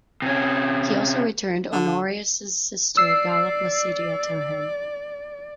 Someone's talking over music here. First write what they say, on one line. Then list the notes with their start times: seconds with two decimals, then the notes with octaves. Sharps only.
He also returned Honorius' sister Galla Placidia to him.
0.22 C3 C#4
1.72 D3
2.97 D5 E6 C7